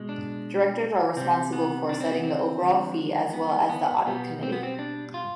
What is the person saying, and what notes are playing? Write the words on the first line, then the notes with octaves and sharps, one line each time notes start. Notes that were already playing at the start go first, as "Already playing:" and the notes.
Directors are responsible for setting the overall fee as well as the audit committee.
Already playing: B2 G#3
D4
C3 G3 C4
B3
D4
C4
B3
C4
D3 F3 G#3
B3
B3
B2 G3 B3
C4
B3
C4
D4
F4